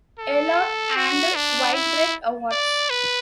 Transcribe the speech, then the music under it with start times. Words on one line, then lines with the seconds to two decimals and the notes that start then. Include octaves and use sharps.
Eliot and Whitbread Awards.
0.19 A4
0.96 F#4
1.35 D4
1.74 E4
2.52 D5
2.90 B4